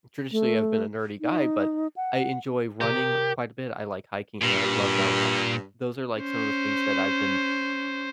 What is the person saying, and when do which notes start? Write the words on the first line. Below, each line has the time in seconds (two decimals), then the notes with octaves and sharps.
Traditionally, I've been a nerdy guy, but I enjoy running quite a bit, I like hiking, and I love mountain biking. Those are, like, some of the things that I've been,
0.31 A3
1.21 D#4
1.96 F#5
2.81 C3 G4 A#4 D#5
4.42 G2 A#2
6.20 C#4 C5